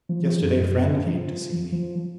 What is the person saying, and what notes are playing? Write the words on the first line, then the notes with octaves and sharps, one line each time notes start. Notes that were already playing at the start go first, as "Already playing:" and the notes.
Yesterday a friend came to see me.
F3
F3
F#2
F3
F3